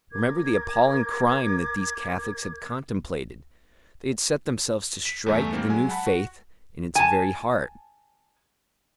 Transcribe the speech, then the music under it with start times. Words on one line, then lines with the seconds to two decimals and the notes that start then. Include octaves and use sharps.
Remember the appalling crime that these Catholics had contemplated; they had set themselves to strike the new Faith in its very heart....
0.12 A#4 D6 G#6
5.05 B6
5.26 E2 G2 A3 G#5
5.53 D#3 G3 A#3 C4 C5
5.68 F#3 G#3 G#5
5.89 F#5 A5 B5
6.06 F#4
6.95 G#5 A5